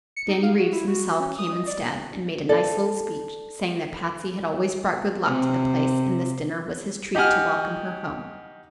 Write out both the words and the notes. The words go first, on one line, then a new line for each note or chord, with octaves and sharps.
Danny Reeves himself came instead, and made a nice little speech, saying that Patsy had always brought good luck to the place, and this dinner was his treat to welcome her home.
C#7
D#4
F5
F#4
E4
F#4
C#4
D#6
D#5
D5
A4 D5
C3
D#4 G4 F#5 G#5 F6